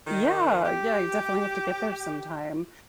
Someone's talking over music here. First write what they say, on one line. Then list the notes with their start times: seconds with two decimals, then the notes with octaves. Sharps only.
Yeah. Yeah, I definitely have to get there sometime.
0.07 D#3
0.64 G4